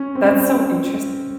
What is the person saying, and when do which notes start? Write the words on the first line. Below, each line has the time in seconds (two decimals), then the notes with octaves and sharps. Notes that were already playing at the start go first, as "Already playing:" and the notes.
That's so interesting.
Already playing: C#4
0.15 C4
0.25 C#4
0.34 C4